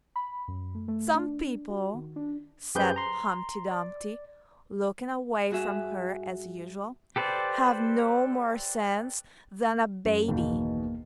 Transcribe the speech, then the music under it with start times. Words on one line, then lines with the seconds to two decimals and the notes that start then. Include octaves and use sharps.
'Some people,' said Humpty Dumpty, looking away from her as usual, 'have no more sense than a baby!'
0.16 B5
0.48 F#2
0.75 A3
0.88 A3
1.15 D4
1.70 F#4
1.94 D#3
2.16 D4
2.75 F#2 G4 G#4 B4 C5 G6
2.96 A#5 C6
3.71 D5
5.50 G2 F#4 G#4 E5
7.16 G4 A4 B4 C5 D5
10.05 F#2
10.28 G1 E2 B2 D#3 A#3